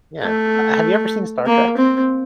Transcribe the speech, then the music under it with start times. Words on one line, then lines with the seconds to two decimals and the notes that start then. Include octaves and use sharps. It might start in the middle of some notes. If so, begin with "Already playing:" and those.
Yeah. Uh, have you ever seen Star Trek?
0.23 A3
1.46 A#3
1.77 C4